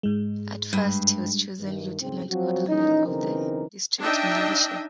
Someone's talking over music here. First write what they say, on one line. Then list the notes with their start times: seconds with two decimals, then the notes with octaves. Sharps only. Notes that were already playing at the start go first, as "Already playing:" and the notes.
At first he was chosen lieutenant colonel of the district militia.
0.03 G#2 G#3
0.73 G2
1.60 G2 D#3
2.01 F2 G#2 C#3 C4
2.30 F3 F#3 C4 F#4
2.69 A#1 E3 C#4 D#4
3.07 B1 C#3 E3 C4 D#4 A#4
4.00 D4 D#4 D#5 E5 G5